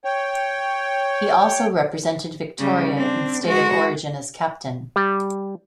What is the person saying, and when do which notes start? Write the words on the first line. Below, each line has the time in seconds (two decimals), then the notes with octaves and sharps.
He also represented Victoria in State of Origin as captain.
0.04 C#5 G5
2.58 C#3 G3
2.97 C4 D4
3.44 G#3 F#4
4.96 G3